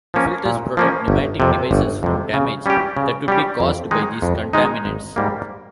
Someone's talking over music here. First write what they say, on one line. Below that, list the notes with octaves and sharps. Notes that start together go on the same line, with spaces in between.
The filters protect pneumatic devices from damage that would be caused by these contaminants.
F3 A#3 C#4
A#2
F3 A#3 C#4
G1
F2 C3
G1
F2 C3
C#3
G3 C#4 G4
C#3
G3 C#4 G4
F2
D#3 G#3 D#4
F2
D#3 G#3 D#4
G#1
G#2 G3 A#3